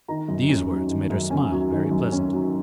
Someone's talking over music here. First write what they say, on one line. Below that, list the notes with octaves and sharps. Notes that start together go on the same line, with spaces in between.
These words made her smile very pleasantly.
D#3 A#5
F#2
C#4
F#3
D#3
F#2
C#4 G#5
F#3
D#3
F#2
C#4
F#3